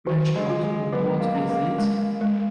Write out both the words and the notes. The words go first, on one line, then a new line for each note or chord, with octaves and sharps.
My child, what is it?
D#3 F#3
G#3
F4
G#3
F#3 B3
A#3
C#4
A#3
G#3
G#3